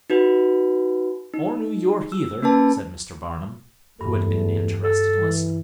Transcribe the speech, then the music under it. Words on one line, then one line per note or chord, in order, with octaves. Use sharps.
"Or New York either," said Mr. Barnum, who had been an interested listener.
D#4 F#4 B4
D#4
E6
A#3 C#4 B4 A5
E2 G2 A3 A4
A4
E3